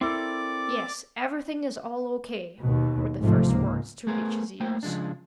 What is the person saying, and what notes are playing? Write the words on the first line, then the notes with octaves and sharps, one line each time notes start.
"Yes, everything is all okay," were the first words to reach his ears.
C4 E4 A4 A#4 D5 D6
D#2 B2
A1 G#2 C3 F3 A3
C#2 G#2 A#3
A3 B3 G#4 A#4 C5
A3 A#3 C5 G5
C#3 F3 G#3 D4